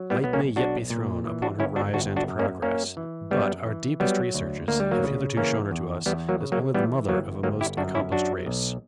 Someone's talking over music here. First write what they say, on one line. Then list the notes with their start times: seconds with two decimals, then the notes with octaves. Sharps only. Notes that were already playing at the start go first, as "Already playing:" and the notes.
Light may yet be thrown upon her rise and progress, but our deepest researches have hitherto shown her to us as only the mother of a most accomplished race.
Already playing: F#3
0.10 G3 B3
0.22 B1 B3
0.33 A#3 C#4
0.56 B1 D4 F#4
0.90 A#2
1.25 E3
1.42 D4 F#4
1.59 G1 C#4 E4
1.76 D4 F#4
1.93 G1 D4 F#4
2.16 D4 F#4
2.28 F#2
2.39 A#3 C#4
2.62 F#2 A#3 C#4
2.97 E3
3.31 F#2 G3 B3
3.66 E3
4.00 F#3 G3 B3
4.34 D2
4.68 D2 A#3
4.80 G3
4.91 F#3 A#3
5.03 C#3
5.37 E3 A#3 C#4
5.71 E2
6.06 E2 G3 B3
6.29 F#3 A#3
6.41 C#3
6.52 F#3 A#3
6.74 E3 G3 B3
7.09 G1 F#3 A#3
7.43 G1 F#3 A#3
7.61 E4 G4
7.77 F#2 D4 F#4
7.95 C#4 E4
8.12 F#3 D4 F#4
8.46 B1